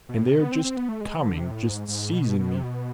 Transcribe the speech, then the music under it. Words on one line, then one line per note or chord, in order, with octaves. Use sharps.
And they are just coming, just seizing me.
B2
A2
C3
B3
C4
C4
B3
A3
G#3
F3
D3
C3
A2
G#2
G#2
B2
B2
C3
B2